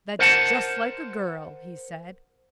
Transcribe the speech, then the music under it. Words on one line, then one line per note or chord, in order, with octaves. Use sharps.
"That's just like a girl," he said.
A#4 C5 F#5 A5